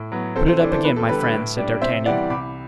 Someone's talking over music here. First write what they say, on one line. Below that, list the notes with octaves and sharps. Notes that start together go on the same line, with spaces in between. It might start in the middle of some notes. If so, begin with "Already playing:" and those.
"Put it up again, my friend," said D'Artagnan.
Already playing: A2
F#3 B3
C3 A4 C5
A4 C5
E3 A3 D4
A4 C5
E2 B4
A4
D3 G3 B4
B4
A2
G3 D4
C3 C5 E5
E3 G3 D5 F#5
C2 B5 D6